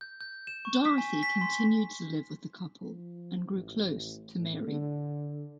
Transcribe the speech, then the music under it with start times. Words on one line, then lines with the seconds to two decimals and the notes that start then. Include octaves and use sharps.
Dorothy continued to live with the couple and grew close to Mary.
0.01 G6
0.21 G6
0.47 E7
0.65 C#6
0.85 B6
0.98 G#5
1.23 B6
1.41 C6
2.82 F3
3.51 A1
4.37 A2
4.67 D3